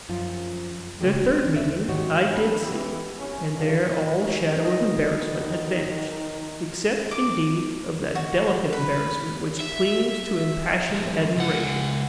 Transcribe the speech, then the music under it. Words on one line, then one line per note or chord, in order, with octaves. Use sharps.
Their third meeting I DID see; and there all shadow of embarrassment had vanished, except, indeed, of that delicate embarrassment which clings to impassioned admiration.
F#2 F3 F4
C#3 F3 G3 A3 D4 G4
C4 C#4
D#2 D5 E5
G#2 D#3 D#4 F#4 G4 C#5
D3 G3 B3 D4 B4
E3 G#3 B3 E4 G4
C2 C#4
G2 A#2 C#3 F3
A#2 E3 E4
G#2 D#3 C#4
B2 D#3 D#5
D6
F#4
B4
E5
C#3 F3
C#2 F#5